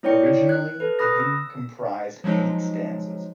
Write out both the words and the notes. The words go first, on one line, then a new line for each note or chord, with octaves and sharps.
Originally the hymn comprised eight stanzas.
A3 E4 C#5 D5 G5 C#7
F#6 G#6
A4 B4
B5 D#6 F#6 A#6
E6
F3 F#3 G#3 D#4